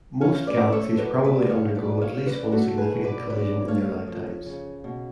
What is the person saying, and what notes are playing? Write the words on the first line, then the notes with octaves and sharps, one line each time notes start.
Most galaxies probably undergo at least one significant collision in their lifetimes.
C#4 C#5 F5
B4 D5
A3
A4 C#5
F#3 B4 D5
B4 D5
A2
C#5 F5
B2 B4 D5
C#5 F5
C#4
B4 D5
A3 F#4 A4
G#4 B4
B2
B4 D5
C#4 B4 D5
A3 C#5 F5
F3
C#3
B2